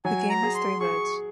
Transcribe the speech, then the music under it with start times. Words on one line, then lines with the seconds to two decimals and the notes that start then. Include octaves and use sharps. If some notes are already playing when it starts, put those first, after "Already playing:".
The game has three modes.
0.05 F#3 G#5
0.30 A#5
0.43 G#4
0.55 C6
0.80 G#4 C#6